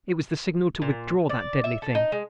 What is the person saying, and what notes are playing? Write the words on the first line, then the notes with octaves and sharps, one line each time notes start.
It was the signal to withdraw that deadly thing.
A#2
D5
E5
A4
D#4
G#3